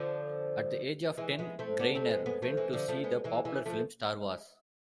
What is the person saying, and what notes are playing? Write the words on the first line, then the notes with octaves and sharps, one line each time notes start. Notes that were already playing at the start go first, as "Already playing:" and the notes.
At the age of ten Greiner went to see the popular film "Star Wars".
Already playing: D3 F3
E3 G#3
G#3 B3
A3 C4
B3 D4
A3 C4
G#3 B3
G#3 B3
F3 A3
E3 G#3
D3 F3
F3 A3
G#3 B3
E3 G#3
E3 G#3
F3 A3